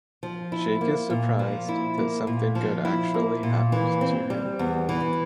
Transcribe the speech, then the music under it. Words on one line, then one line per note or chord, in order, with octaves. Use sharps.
Jake is surprised that something good actually happened to him.
F3
E4
A#3
A#2
F3
E4
A#3
A#2
F3
E4
A#3
A#2
E3
C4
G3
E2
E3